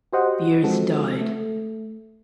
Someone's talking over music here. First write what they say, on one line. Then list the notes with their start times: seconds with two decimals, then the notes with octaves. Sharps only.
Beers died.
0.13 F#4 G4 C5 D#5 F#5
0.63 F3 G#3 C4 F#4 A4
1.21 A3